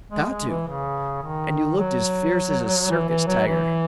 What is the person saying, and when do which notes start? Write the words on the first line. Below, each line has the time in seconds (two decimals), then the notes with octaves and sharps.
"I've got to!" And he looked as fierce as a circus tiger.
0.10 G#3
0.29 G#3
0.48 E3
0.67 C#3
1.22 D#3
1.78 F#3
2.91 E3
3.09 E3
3.27 F#3
3.46 E3